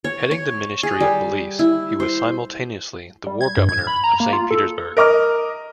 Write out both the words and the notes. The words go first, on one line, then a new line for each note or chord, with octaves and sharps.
Heading the Ministry of police, he was simultaneously the War Governor of Saint Petersburg.
C#5
C#5
G#4
G3
E4
C5
G3
G#6
G2
G#6
B5
A#5
A#3
F4
A4
A#4 D#5 D6 F6